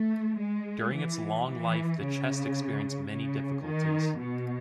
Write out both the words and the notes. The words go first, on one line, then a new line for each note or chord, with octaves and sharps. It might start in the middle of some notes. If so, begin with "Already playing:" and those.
During its long life the Chest experienced many difficulties.
Already playing: A3
G#3
E3
E3
C#3
C#3
D#3
B2